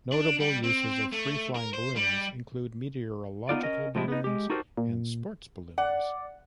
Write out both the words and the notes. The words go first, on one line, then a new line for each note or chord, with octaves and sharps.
Notable uses of free-flying balloons include meteorological balloons and sport balloons.
D4
G3
C4
A3
A#4
C5
G3
B3 D#4 F4 D5
C#4 A#4 D#5
A2 F3 G#3 E4
B3 D#4
G#3 G4
D#4 F#4 G4 A4 A#4 C5
A#2
D5 F#5